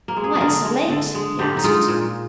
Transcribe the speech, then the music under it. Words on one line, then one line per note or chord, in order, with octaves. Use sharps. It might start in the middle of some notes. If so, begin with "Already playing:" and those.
"Why so late?" he asked.
A#3
G#3
G#4
G#4
D3 A#4
G#3
D3
G#3
D3 G4
D#4
G#3 F4
A#2